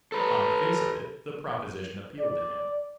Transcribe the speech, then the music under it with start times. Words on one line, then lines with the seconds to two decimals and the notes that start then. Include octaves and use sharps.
On the face of it, the proposition appealed to him.
0.12 A4 B4
2.20 D5